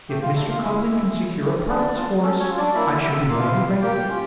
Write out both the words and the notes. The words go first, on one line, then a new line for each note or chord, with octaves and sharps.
If Mr. Copley can secure apartments for us, I shall be more than grateful.'
A3 G4 G5
F4 F5
D4 E4 G4 E5
F4 F5
C#4 E4 E5
E4 G4
C#4
E4 G4
C#4 D4 D5
F4
C#4 A4
C#4 C#5
F4
D4 D5
A#3 E4 E5
E4 G4
A#3 F4 F5
E4 G4
A#3 G4 G5
C#4 F4